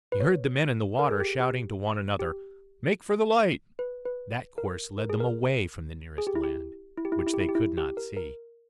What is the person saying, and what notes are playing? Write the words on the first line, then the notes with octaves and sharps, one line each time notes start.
He heard the men in the water shouting to one another, "Make for the light." That course led them away from the nearest land, which they could not see.
B4
C#5
A#4
G#4
G4
G4
G4
B4
B4
A#4
A#4
G#4
A#4
G#4
G4
E4
G4
E4
G4
E4
G4
E4
G4
E4
G4
E4
G4
A#4
A#4